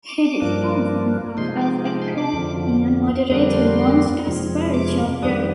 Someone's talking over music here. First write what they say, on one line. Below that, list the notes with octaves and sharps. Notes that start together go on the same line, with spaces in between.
He describes himself as a pro-union moderate who wants to spur job growth.
D6
D6
G2 F3 A#3 D4
C3 F3 G#3 D#4 C6
D6
D6
C6
D6
F2 D3 F3
F2 D3 G3 A#3 D4 D#6
C6
F2 C3 F3 G#3
D6
F2 D#3 G3 D4 D#6